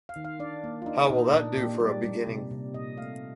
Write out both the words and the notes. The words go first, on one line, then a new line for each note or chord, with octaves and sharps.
How will that do for a beginning?
F5
D#3
F5
D4 D5
A#3
F4
D4 D#4
A#2 D#4
A#2 D4
A#2 G4
G3 D5
G3
C3
C3
A#2 D#5
A3 F5